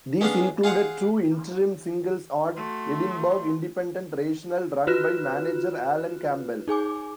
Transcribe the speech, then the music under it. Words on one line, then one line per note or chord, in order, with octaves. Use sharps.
These included two interim singles on Edinburgh independent Rational, run by manager Allan Campbell.
G#3 B3 C#4 D4 G#4 F5
F4 G#4 F5 F#5
A3 F#4 C6
F4 F#4 B4 F6 F#6 E7
D#4 G#4 G#5 D6